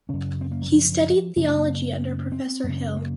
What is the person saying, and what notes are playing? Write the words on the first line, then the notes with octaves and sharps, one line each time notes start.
He studied theology under Professor Hill.
F#2 C#3 C#4
C4
A#3
F#3
F3
F#2 C#3 F3
A3
A#3
C4
F#2 C#3
A#3